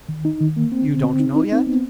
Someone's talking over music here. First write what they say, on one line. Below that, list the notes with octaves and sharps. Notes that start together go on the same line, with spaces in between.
"You don't know yet?"
D#3
D#4
D#3
A#3
C4
D3
C4
D#4
D#4
C4
B3